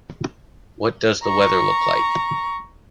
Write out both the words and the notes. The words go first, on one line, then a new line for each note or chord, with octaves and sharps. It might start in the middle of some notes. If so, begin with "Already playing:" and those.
What does the weather look like?
A#5 C#6